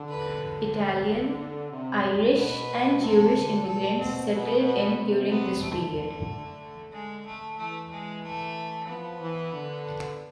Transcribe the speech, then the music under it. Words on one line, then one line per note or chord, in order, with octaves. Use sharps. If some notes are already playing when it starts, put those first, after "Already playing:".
Italian, Irish and Jewish immigrants settled in during this period.
Already playing: D3
B4
D3
C3
A2
B2 B4
C3 A4
D3
B2 A4
C4
B2 B3
B3
C3
B3
D3 A3
G#3
A3
E3 A3
G#3
A3
F3 B3
E3
D3